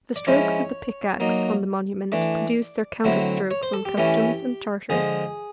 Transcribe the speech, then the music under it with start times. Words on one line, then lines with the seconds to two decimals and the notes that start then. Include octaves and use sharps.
The strokes of the pickaxe on the monument produce their counter-strokes on customs and charters.
0.16 D5
0.27 F3 G#3 C#4 E4 C#5
1.20 F#3 A#3 D#4
2.12 E3 A3 D4 D5
3.04 D3 F#3 A3 C4 E4
3.51 C#5
3.63 C5
3.74 A4
3.85 G4
3.97 E3 A3 C#4 E4 G4
4.90 D3 F3 G#3 G#4